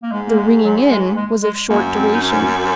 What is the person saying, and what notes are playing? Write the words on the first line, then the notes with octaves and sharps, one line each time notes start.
The "ringing in" was of short duration.
A#3
G#2 G#3
A#3
G#3
F#3
G#3
G#3
G#3
F#2 A#3
C4
D#4
C#4